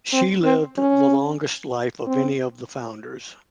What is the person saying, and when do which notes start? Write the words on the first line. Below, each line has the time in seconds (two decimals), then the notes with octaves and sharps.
She lived the longest life of any of the founders.
0.13 C4
0.44 C4
0.78 C#4
2.07 C4